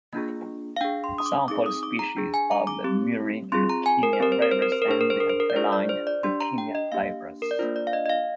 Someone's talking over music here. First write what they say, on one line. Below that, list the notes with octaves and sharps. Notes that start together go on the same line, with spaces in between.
Example species are the murine leukemia virus and the feline leukemia virus.
A#3 D4 F4 G#4
F5
D4 G#4 G5
C6
D#6
D6
C4 D#4 G#4 D6
D#6
D6
A#5
D4 G#4
G#5
A#5
D6
C4 G4
C4 F4 G#4 C6
A#5
G#5
A#4
C5
C4 G4 A#4
C5
A#4
C5
A#4
C5
A#4
D4 G#4 C5
A#4
C5
A#4
C5
A#4
D5
D4 F4 G#4 C5
D5
C5
D5
D4 G4 C6
A#5
G5
D#5
A#3 D4 G4 F5
A#4
D5
A#3 D4 F4 C5
D5
F5
D#5
D#5
F5